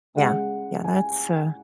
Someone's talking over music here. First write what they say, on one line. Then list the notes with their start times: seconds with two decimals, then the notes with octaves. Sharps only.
Yeah. Yeah, that's, uh
0.17 C#3 G#3 F#5
0.84 G#5